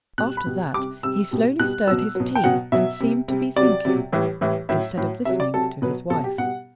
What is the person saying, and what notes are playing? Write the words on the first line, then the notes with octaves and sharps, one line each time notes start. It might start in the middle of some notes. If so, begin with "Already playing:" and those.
After that, he slowly stirred his tea, and seemed to be thinking, instead of listening to his wife.
B2 G3 F#6
B5
B2 G3
C3 G3 D6
C3 G3 E6
B2 G3
B2 G3 F#6
B2 F#3 E6
B2 F#3
G5
B2 F#3 F#5
B2 F#3 E5
C3 G3
C3 G3
C3 F#3 D5
C3 F#3
A2 E3 G3
A2 E3 G3
A2 F#3 E5
A2 F#3
C3 F#3 E5
D5
C3 F#3 A4
B2 F#3 B4
B2 F#3 A4
G4
B2 G3 F#5